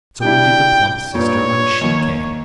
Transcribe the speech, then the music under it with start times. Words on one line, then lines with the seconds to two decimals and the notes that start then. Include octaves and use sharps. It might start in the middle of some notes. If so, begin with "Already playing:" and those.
So did the plump sister when she came.
0.22 G3 D4 E4 G5
1.15 G2 A#2 C#5
1.81 D#2 A#3